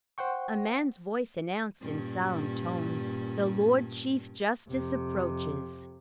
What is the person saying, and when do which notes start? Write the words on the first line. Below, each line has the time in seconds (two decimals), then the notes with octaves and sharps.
A man's voice announced in solemn tones, "The Lord Chief Justice approaches."
0.18 C5 F#5 G5 C#6
1.81 G2 A#2 C#4
4.68 F2 C3